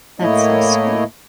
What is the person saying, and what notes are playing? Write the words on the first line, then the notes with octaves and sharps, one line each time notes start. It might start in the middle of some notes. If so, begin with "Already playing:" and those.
That's so sweet.
A2 A3 A#3 E4 C#5 D#5